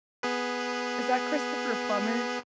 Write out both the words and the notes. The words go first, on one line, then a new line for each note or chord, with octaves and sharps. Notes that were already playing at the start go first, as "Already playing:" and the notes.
Is that Christopher Plummer
B3 G#4 B4